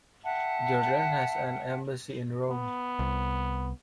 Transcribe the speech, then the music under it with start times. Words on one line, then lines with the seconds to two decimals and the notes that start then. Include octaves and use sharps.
Jordan has an embassy in Rome.
0.23 E5 F#5 G5 A5
2.50 B3
2.99 C2